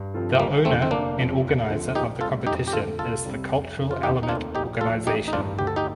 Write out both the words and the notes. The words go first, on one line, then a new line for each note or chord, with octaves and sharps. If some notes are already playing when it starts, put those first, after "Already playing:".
The owner and organizer of the competition is the Cultural Element organization.
Already playing: G2
F3 C4 F4 A4
C4
G1 G3 A#3
F2 D3 F3 A3 C4
C4
F1 A#3 D4
F2 C3 F3
D#2
D3 F3 C4
A#1 D#4 G4
A2 G3 C4 F4 A4
F2 D#4 G4
G4
D3 A3 F4 A4
C2 F4 A4
C3 G3
F1
F2 D3
F4
D#2 D#4 G4
D#4
D#3 A3 C4 D4 F4
A#1 D#4 G4
A2 F3 F4 A4
A1 D#4 G4
D#4
G2 D#3 D4 F4
D2 G4
A4
D#4 G4